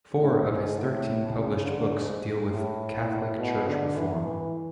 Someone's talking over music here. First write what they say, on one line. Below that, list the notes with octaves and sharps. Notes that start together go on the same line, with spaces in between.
Four of his thirteen published books deal with Catholic Church reform.
A2
G#2
A2
C#3
D3
G#2
A2
A2
B2
D3
E3
E3